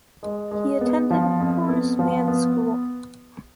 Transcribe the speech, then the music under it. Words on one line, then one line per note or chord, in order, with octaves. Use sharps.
He attended Horace Mann School.
G#3
G#3
B3
F3
F2
B3
F3
B3